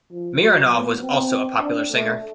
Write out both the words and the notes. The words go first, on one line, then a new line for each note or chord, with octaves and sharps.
Mironov was also a popular singer.
F3
F#3
B3
C4
D4
A3